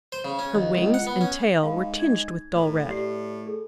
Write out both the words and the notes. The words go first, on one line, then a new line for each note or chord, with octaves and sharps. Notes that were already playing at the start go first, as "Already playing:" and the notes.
Her wings and tail were tinged with dull red.
C5
C#3
C#4
D#2
C#2
F#5
B3
C#4
G#2 F5 B5
D#4 G#6
A2
G4 D5 C7
G#4 A4